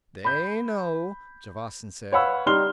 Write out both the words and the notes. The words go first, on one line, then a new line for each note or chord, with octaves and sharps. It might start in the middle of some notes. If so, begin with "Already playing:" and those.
"They know," Javasan said.
B5 G6
B4 C#5 F5 F#5 B5 E6
G3 D#4 C6 F6 G7